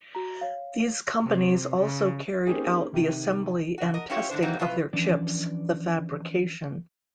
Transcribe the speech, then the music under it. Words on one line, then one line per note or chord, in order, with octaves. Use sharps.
These companies also carried out the assembly and testing of their chips, the fabrication.
F#4 A#5
C#5 F5
C3
C#3
A#3 C4 C#4 D#4 G4 G#4
C3 D#3 D#7
C#3 F#4
A#4 D#5
C#4 E4 F4 G4 C#5
G#2 D3 D4 C5
F#3 G3 A#3 C4 D#4
A2 C3 E3 F4 B4
E3 F3 C#4 D4 D5